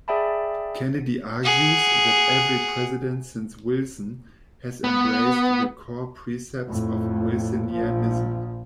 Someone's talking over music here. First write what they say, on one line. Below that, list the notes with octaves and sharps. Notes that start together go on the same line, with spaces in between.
Kennedy argues that every president since Wilson has embraced the core precepts of Wilsonianism.
G#4 D5 E5 G5 A5 B5
G#4 F#5
B3
F2 A2
A#1 F3